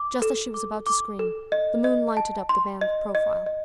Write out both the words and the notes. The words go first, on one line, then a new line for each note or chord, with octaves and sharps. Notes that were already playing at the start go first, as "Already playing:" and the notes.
Just as she was about to scream, the moon lighted up the man's profile.
Already playing: D6
A4
D6
D6
A4
D#5
D#5
A5
C6
D#5
D#5
D#5